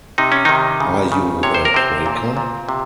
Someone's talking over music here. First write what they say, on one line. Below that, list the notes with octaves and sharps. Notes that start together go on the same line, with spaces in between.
Are you a Quaker?
C3 D#4
C#4
C3 D#3 D#4
C#3
C#3
C3 C#5
C5
A#4
C3 C4 C5
A#2
A#2
C3